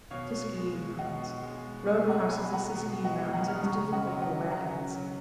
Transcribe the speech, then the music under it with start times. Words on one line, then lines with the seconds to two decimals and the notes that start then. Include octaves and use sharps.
Siskiyou Mountains.--Road crosses the Siskiyou Mountains, and is difficult for wagons.
0.11 B2 C#5 F5
0.55 G#3
0.99 B2 D#5 F#5
1.43 G#3
1.87 B2 F5 G#5
2.08 F#5 A#5
2.31 G#3 G#5 B5
2.53 F#5 A#5
2.75 B2
3.04 D#5 F#5
3.19 G#3
3.33 F#5 A#5
3.47 F6
3.55 D#6
3.63 C#3 A#5 C#6
3.93 D#5 F#5
4.07 F#3
4.22 D#5 F#5
4.51 C#3 F#5 A#5
4.95 F#3